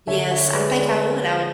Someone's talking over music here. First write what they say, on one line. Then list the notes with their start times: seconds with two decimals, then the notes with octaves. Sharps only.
Yes, I think I would I would
0.07 D3 C#5 E5
0.31 C#5 E5
0.54 G#3 B4 D5
0.77 B4 D5